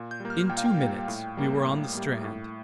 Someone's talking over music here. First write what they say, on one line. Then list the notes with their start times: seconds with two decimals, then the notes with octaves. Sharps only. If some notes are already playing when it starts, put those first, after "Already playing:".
In two minutes we were on the strand.
Already playing: A#2
0.11 G6
0.20 G3 A#3
0.30 F6
0.49 A#2 G5
0.58 F5
0.66 G5
0.79 G3 A#3
1.08 A2
1.37 G3 A#3
1.66 A2
1.95 G3 A#3
2.24 A2